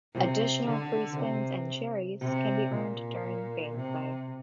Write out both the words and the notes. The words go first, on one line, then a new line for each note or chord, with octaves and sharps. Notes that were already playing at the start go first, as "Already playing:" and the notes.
Additional Free Spins and cherries can be earned during gameplay.
C3
D3
C3
C3
A#2
C3